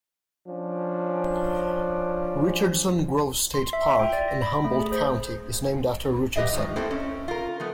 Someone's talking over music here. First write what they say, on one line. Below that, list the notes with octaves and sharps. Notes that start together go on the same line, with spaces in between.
Richardson Grove State Park in Humboldt County is named after Richardson.
F3 C#4 D4
C6
E5
G5
D5
A#6
B5
A3
G#4
C5
F#3 G4 B4 D#5 E5
D#3 F3
A3 A#3 C4 E4
C#4
F4 A#4
F3 A3 B3